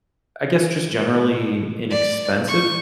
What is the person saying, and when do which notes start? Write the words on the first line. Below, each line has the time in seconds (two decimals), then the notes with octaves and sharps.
I guess, just generally inexpensive
1.90 D5
2.48 C#6